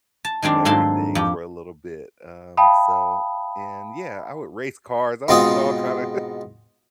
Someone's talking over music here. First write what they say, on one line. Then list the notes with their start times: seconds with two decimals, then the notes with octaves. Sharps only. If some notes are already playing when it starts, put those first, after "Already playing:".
from everything for a little bit, um, so and, yeah, I would race cars. I would do all kind of
0.25 A5
0.42 D#3 G#3 C4 D4
0.65 G#2 F#3 A#3 A4 A5 C6
1.15 F2 G4
2.57 E5 F5 G5 A5 B5 D#6
5.28 G#2 B2 C4 F4 F5 D#6